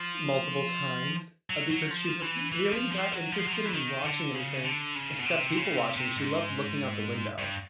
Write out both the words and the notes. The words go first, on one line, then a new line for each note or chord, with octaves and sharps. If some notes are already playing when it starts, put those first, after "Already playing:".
multiple times because she wasn't really that interested in watching anything except people watching, she loved looking out the window,
Already playing: F3
F#3
F#3
F3
E3
E3
F3
F3
F#3
F3
F#3
F3
E3
D#3
D3
C#3
D3
C#3
B2
C3
C#3
C3
C3
G#2
G2